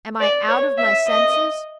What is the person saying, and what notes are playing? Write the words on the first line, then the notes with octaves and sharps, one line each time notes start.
Am I out of my senses?
D5
C#5
E5
D#5